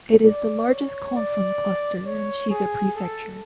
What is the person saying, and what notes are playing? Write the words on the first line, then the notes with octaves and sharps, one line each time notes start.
It is the largest "kofun" cluster in Shiga Prefecture.
D5
C#5
D5
C#5
G#4
A4